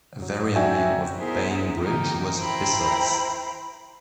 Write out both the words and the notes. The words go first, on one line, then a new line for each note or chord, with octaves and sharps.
A variant name of Bainbridge was "Bissells".
F#3
D#4 F#4 D5 E5 G5 G#5
B3 E4 G#4 A#4 C5
E3 A#3 D#4 G5
E4 C5 G5 A#5 B5